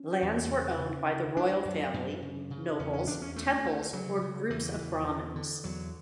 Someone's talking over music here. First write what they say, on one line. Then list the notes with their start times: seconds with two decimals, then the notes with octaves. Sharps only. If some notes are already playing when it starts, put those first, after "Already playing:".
Lands were owned by the royal family, nobles, temples or groups of Brahmans.
Already playing: C#4
0.22 E2
0.51 C#3
0.79 C#3
1.08 D2
1.36 D2 D4
1.65 F#2
1.94 F#2
2.22 C#3
2.50 C#3
2.79 E2 C#4
2.93 C#4
3.07 E2 D4
3.22 C#4
3.36 D2 A3
3.64 D2
3.93 C#3 F#3
4.22 C#3
4.50 E2 E3
4.78 E2
5.07 D3
5.36 D3
5.64 E2 F#3